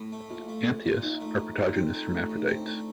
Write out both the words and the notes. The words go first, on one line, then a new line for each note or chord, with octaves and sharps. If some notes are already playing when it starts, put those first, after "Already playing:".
Anthias are protogynous hermaphrodites.
Already playing: A2
A3
A#1 F4
A3
A#1
A#2
F4
A#1 D#4
A3
A#1 F4
A#2
C4 D#4
A3
A1
F4
A2
D#4
C4 D4
A3